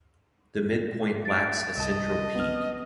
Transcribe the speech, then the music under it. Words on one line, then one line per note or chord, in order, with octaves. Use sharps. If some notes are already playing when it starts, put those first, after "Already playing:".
The midpoint lacks a central peak.
A6 D7
C2 D#5 A5
B3 F6